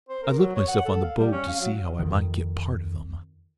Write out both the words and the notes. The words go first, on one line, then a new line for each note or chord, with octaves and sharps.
I looked myself on the boat to see how I might get part of them.
C5
A#4
F#3
C#5
F#5
A4
F5
G3
C#4
F5
F#3
F2 D#3